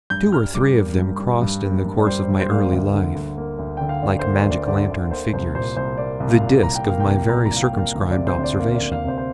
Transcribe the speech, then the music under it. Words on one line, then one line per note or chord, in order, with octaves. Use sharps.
Two or three of them crossed in the course of my early life, like magic-lantern figures, the disk of my very circumscribed observation.
G2 G6
G3 F6
G2 D6
A#3
G2
G3
G2
A#3
G2
D5
G3 C5
C5
G2
C5
A#3 F5
D5
D2
D3
D2
A#3
D2
D3 G5
F5
D2 D5
A#3 C5
D5
D2 D5
C5
D3 D5
D2
A#3 C5
C2 C5
A#2 C5
C2 C5
A#3 D5
C2
F5
A#2
C2 A#5
G5
A#3 F5
G5
C2
A#2 A#5
A#5
C2
F5
G5
A#3
F5
D2 F5
C3 D5
C5
D2
D5
A#3 F5
D5
D2
F5
C3 C5
C5